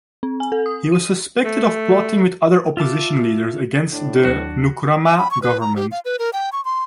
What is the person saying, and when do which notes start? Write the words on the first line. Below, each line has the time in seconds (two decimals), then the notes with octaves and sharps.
He was suspected of plotting with other opposition leaders against the Nkrumah government.
0.23 C4
0.40 G#5
0.52 A4
0.66 D#6
0.92 D#7
1.44 A3
2.77 F4 E5 A5 D6
3.92 A2 D4
4.25 D#2 F#3 F#4
5.06 E5
5.18 B5
5.31 C#6
5.42 B4
5.61 A#5
5.76 G4
5.92 F5
6.05 B4
6.19 A#4
6.33 G5
6.53 C#6
6.65 C6